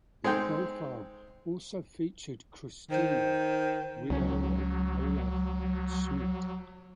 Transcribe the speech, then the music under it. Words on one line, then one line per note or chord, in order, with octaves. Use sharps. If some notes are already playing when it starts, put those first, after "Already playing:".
The profile also featured Christina, widow of Olaf Schmid.
G#3 C4 D#4 G5
D#3 C5
C#2 F#3 C#4